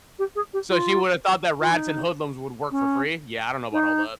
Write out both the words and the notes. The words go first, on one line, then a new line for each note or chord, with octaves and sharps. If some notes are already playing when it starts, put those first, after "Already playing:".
So she would have thought that rats and hoodlums would work for free? Yeah, I don't know about all that.
G4
G#4
G4
F4
F4
D#4
C#4
D#4